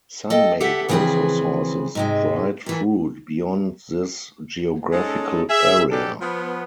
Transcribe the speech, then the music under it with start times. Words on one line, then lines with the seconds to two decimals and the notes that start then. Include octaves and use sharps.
Sun-Maid also sources dried fruit beyond this geographical area.
0.30 A4 D#5 F5 G5
0.60 G4 A4 E5 F#5
0.89 C#3 E3 F3 C4 G#4 B4
1.95 G#2 C3 G#3
2.66 A#2 E3
4.92 G#3 C#4 D#4 A4
5.50 G#4 E5
5.90 C#3 F#3 D4 G4 A4
6.21 F3 B3